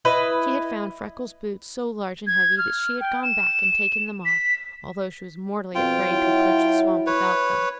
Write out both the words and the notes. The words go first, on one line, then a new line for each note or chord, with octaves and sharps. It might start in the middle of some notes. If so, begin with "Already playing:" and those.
She had found Freckles' boots so large and heavy that she had gone back and taken them off, although she was mortally afraid to approach the swamp without them.
E4 B4 D#5
G#6
F6
G5
E7
B6
F2 B2 C4 F4 G5
F#3 E4
B4 C#5